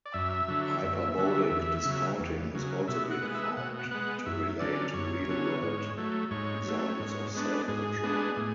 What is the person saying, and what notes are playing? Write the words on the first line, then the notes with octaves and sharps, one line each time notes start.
Hyperbolic discounting has also been found to relate to real-world examples of self-control.
D5
F#2 E5
D3 F#3
F#2
D3 F#3
E2
C#3 F#3
E2
C#3 F#3
B2 E5
F#5
G#3 B3
E5
B2 F#5
F#5
G#3 B3 F#5
F#2 E5
D3 F#3 C#4 D5
F#2 C#5
D3 F#3 C#4
G#2
F#3 A3
G#2 C#5
F#3 A3
G#2
G#3 B3 D4
G#2 G#4
G#3 B3 D4
A2